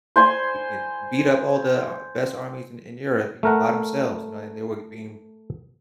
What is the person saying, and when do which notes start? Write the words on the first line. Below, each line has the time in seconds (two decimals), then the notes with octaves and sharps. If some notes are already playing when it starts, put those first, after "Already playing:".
i en beat up all the best armies in in Europe, you know, by themselves, you know, and they were being,
0.16 C5 G#5 C6
3.43 A3 A#4 F#5